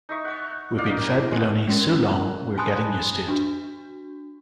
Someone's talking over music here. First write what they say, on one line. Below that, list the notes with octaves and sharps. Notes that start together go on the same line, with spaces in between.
We've been fed baloney so long we're getting used to it.
D#4 E5 C#6
F#5 C#6
A#3 D#4 D5 F5
A#4
E4
G#3 B3
G#3 C#4 A#4
G#5 A5 B5 C6 D#6 F#6
D4 F#4